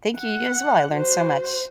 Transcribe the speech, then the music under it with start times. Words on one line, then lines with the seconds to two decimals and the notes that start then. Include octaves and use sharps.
Thank you, you as well, I learned so much.
0.19 F#5
0.92 F#4 C5